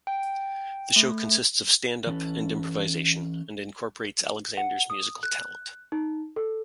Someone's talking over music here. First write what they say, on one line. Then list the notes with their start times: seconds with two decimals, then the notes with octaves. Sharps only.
The show consists of stand-up and improvisation and incorporates Alexander's musical talent.
0.07 G5
0.96 A3
2.07 E3 F#3 C#4 A4 B4
4.57 F#5
4.90 D#6
5.23 F#6
5.92 D#4
6.36 A4